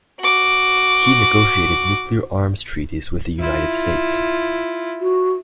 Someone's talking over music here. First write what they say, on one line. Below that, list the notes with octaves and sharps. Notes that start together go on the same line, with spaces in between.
He negotiated nuclear arms treaties with the United States.
F#4 D6
E4 F4
F#4